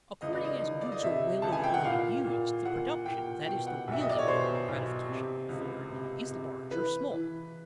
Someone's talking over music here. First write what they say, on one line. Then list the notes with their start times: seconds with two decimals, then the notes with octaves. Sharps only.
According as goods are well or poorly used, the production--that is, the real income or gratification they afford--is large or small.
0.22 C#2 D#5
0.33 D5
0.44 D#5
0.63 D#3
0.81 D5
0.92 D#5
1.03 C3 E5
1.42 C#2 A5
1.52 G#5
1.64 G5
1.74 F#5
1.84 A#2 F5
2.24 A#2
2.65 A#2 F#5
3.06 A#2 G5
3.46 B2 G5
3.67 F#5
3.87 B1 E5
4.01 D#5
4.09 D5
4.19 C#5
4.27 B2 C5
4.68 B1
5.09 C3
5.49 C#2
5.90 C3
6.31 C3
6.71 E3 B4
7.12 E3